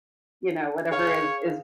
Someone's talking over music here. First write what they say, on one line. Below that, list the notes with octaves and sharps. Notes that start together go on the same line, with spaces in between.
you know, whatever is is
G#4 C#5 F5